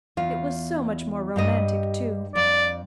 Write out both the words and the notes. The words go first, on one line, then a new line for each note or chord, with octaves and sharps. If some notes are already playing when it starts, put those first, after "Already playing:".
It was so much more romantic, too.
E2 F4
G2 G4 D#5
F2 D5